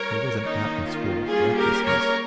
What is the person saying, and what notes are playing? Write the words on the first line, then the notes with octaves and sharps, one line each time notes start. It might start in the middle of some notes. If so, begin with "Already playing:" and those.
There was an atmosphere of recklessness.
Already playing: G3 C#4 A#4 C#5
D#3 A#3 C#4 D#4
F4
G3 A#3 C#4 F4 G#4
G4 A#4
A#4 C#5